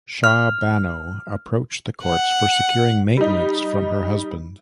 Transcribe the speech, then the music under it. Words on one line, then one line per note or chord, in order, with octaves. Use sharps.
Shah Bano approached the courts for securing maintenance from her husband.
F6
F#5
G3 D#4